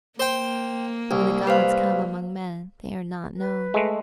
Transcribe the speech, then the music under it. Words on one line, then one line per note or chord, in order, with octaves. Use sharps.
When the gods come among men, they are not known.
A#3 C5 G5
C2
B4 C5 F5
B4
G#3 A3